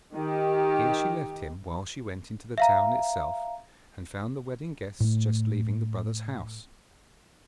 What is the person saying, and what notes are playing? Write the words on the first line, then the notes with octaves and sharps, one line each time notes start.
Here she left him, while she went into the town itself, and found the wedding guests just leaving the brother's house.
D#3 G4
E5 F5 A#5
A2 A3